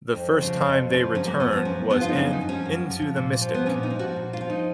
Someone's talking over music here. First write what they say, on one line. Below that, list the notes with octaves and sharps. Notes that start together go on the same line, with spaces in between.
The first time they returned was in "Into The Mystic".
F2
C#3 F3
F2
C#3 F3
F#2 C#4
A#3
F3 B3
B3
F#2 C#4
F3 B3
F4
D#4
F#2 C#4
D#4
F3
C#4
F#2
F3
A#2
F3
B3
A#2 C#4
D#4
F3
F#4
A#2
F4
F3
D#4